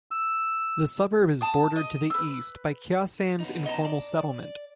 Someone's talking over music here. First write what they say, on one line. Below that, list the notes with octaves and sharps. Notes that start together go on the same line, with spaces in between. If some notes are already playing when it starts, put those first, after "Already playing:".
The suburb is bordered to the east by Kya Sands Informal Settlement.
E6
A5 D#6
D#5
B4 E6
B3 D#4
D#5 A5 A#5
D5